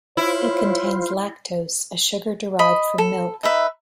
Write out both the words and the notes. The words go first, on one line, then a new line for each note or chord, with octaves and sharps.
It contains lactose, a sugar derived from milk.
E4 F4 C5 C#5
D#5 B5
A4
D#4 B4 E5